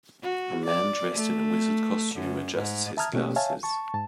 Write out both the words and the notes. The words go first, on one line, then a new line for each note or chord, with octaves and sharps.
A man dressed in a wizard costume adjusts his glasses.
F#4
D5
A3
F#2
G#2
E5 A5 A#5 D#6 F6 G#6
B2 A3 A#3 C#4 G4
C#5 E5 F5 G#5 A5
A5 C#6
G#2 A5